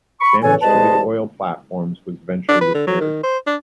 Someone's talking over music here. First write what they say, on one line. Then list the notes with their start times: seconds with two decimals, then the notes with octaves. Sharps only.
Damage to the oil platforms was eventually repaired.
0.21 B5 C#6
0.43 E2 A2 E3 A4 C#5 G#5
0.62 C2 G#3 G#4 B4 D#5 A5
2.49 D4
2.61 B4
2.75 D3
2.87 F#3
3.00 D#3
3.23 C5
3.47 D4